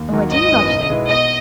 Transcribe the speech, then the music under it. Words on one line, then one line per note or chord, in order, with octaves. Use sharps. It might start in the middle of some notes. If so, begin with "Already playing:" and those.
"And where do you lodge, then?"
Already playing: D#2
D#3 F#3 A#3
G#1 D#5
F#2 E3 B3 F#4
B1
B2 G#3 B3 E4
B2 D#5